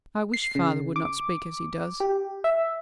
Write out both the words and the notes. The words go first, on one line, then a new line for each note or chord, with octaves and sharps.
'I wish father would not speak as he does.
C7
C#3
D6
G4
E5